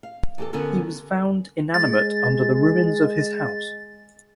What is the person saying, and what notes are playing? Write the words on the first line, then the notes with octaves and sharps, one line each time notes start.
He was found inanimate under the ruins of his house.
F5
E2 G4 A4
D3 B3 C#4 A4 A#4
G#3 A6